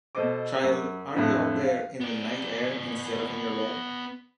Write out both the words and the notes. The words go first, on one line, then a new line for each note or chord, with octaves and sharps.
Child, are you out there in the night air instead of in your bed?
B2 A4 C5 D#5 D6
F#2
F2 A2 D3
F5
B3 D5